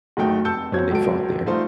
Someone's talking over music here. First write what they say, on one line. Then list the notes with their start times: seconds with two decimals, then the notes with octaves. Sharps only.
and they fought there
0.17 F#1 D2 F#3 A3 D#4 G5
0.45 F1 A5 E6 G6 C#7
0.72 E2 F#3 C4 C#5 G#6
0.91 F#1 C#2 F#3 A4 D7
1.46 G3 A3 D#4 F4 C5